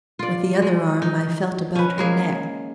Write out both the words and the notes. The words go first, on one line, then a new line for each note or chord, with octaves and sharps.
With the other arm I felt about her neck.
F4 D5
G#3
D#4
C#4 B4
G#3 A#3 G#4